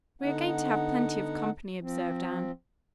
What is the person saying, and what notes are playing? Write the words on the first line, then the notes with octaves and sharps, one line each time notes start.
"We are going to have plenty of company," observed Anne.
D3 B3 D#4 F#5
F3 C4